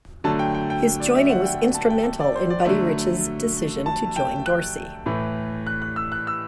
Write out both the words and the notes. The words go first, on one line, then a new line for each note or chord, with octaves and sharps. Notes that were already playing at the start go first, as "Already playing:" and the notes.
His joining was instrumental in Buddy Rich's decision to join Dorsey.
D3 F#3 A3 A5
G5
G5
G5
D5
E5
F#5
G5
A5
G5
D5
C5
D5
D3 F#3 A3 E5
A5
G5
F#6
A2 E3 A3
F#6
F#6
E6
F#6
E6